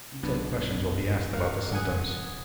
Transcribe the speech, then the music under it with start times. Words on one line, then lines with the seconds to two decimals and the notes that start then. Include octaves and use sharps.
Detailed questions will be asked about the symptoms.
0.23 B1 G2 D3 B3
1.33 F#4 A#4 F5
1.72 C#3 F3 F#5 G#5 D#6